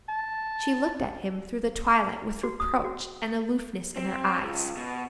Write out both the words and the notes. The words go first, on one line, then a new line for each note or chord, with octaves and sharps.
She looked at him through the twilight with reproach and aloofness in her eyes.
A5
F#4
D#6
F#4
C4
C#2
B2